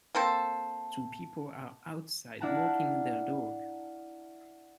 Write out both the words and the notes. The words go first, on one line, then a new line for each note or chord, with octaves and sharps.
Two people are outside walking their dog.
A#3 C4 A4 C5
D4 E4 F5 F#5 A5 A#5